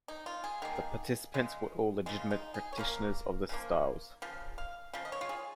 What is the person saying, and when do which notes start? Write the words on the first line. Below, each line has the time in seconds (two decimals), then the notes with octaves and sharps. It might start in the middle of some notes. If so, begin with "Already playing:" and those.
The participants were all legitimate practitioners of their styles.
0.08 D#4
0.26 F4
0.44 G#4
0.62 D#3 A#3 G#4
1.34 C#3 G#3
2.06 C#3 G#3 F4
2.31 D#4
2.54 G#4
2.73 C#5
2.77 C#3 F3 A#3 A#4
3.49 C#3 F3 A#3
4.22 C#3 F3
4.58 F5
4.93 C#3 F3
5.05 D#5
5.12 C#5
5.21 F4
5.29 G#4